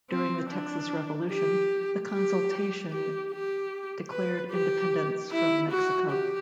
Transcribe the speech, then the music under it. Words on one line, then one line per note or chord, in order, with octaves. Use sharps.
During the Texas Revolution, the Consultation declared independence from Mexico.
C4
D4
G4
G4
G4
G4
B4
G4
E4
F#4
G4